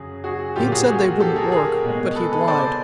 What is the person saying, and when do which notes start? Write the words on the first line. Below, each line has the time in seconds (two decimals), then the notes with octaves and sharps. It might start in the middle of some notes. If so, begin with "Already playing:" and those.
He'd said they wouldn't work, but he'd lied.
Already playing: F#2 C#3 F#3 G#4
0.24 F#4 G#4
0.56 A#2 F#3 A#3 F4 G4
0.72 F#4 G#4
0.88 F#4 G#4
1.20 G4 A4
1.36 G#4 A#4
1.52 G#4 A#4
1.84 B2 G#3
2.16 A4 B4
2.32 A4 B4
2.48 C5 D5